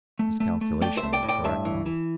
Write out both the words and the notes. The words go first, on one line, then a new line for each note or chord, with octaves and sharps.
His calculation was a correct one.
A3
A3
A3
A3 D5 G5
C5 E5
A3
D5 G5
A2
D5 G5
G2 E5 A5
E3
E3